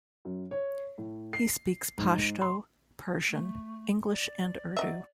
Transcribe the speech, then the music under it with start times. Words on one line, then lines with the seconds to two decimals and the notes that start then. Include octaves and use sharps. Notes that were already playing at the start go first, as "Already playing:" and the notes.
He speaks Pashto, Persian, English and Urdu.
0.25 F#2
0.51 C#5
0.98 A2
1.33 C7
1.98 G#2
2.42 C6
3.28 A3
4.11 D5
4.77 F#3 D#5 E5